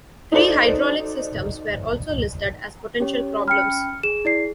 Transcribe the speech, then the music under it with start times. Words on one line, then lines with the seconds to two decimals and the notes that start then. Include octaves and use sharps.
Three hydraulic systems were also listed as potential problems.
0.32 D#4 F#4 A4 C5 D5
3.00 C#4 G4 C#5
3.48 C#4 G5 B5 F6 C#7
4.03 G#4 E7
4.25 E4 D5 C7